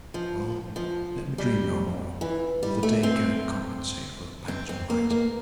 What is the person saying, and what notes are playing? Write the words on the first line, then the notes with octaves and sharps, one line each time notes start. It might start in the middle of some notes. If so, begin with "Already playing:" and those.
'Well--let me dream no more, or the day cannot compensate for the pangs of night.
F3
F3
G3
E3
G3
A3
C4
C4
C4
A#3
A#3